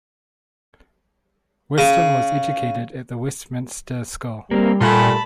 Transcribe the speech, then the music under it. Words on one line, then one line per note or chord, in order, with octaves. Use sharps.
Weston was educated at the Westminster School.
C#3
G3 A#3 C4 A#4
A#2 A3 F4 A#4 F#5 G#5 A5 B5